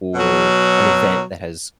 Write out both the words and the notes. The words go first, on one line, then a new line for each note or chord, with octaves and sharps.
or an event that has
B2 F#3